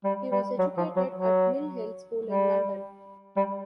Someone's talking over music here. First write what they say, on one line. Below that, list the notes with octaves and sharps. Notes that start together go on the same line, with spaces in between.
He was educated at Mill Hill School in London.
G3
G3
F#3
F3
F#3
F#3
G3
G3